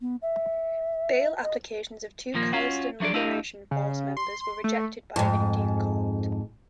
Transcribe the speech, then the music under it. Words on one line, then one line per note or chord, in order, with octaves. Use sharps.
Bail applications of two Khalistan Liberation force members were rejected by an Indian court.
B3
E5
D#5
D#2 A#2 F3 A#3
C#4 F4 F#4
F3 F#3 D4 G#4 D5
A3 D4 E4 G4 D#5 F5
C#3
C6
A3
F2 G#2